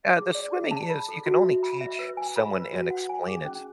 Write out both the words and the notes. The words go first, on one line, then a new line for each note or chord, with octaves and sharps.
Ah the swimming is you can only teach someone and explain it
G#4
D5
G#4
A5
B5
A4
F#4
E5
B5
E5
B4
G#5
B5
B4
F#4
F#5
G#5
G#4
C#4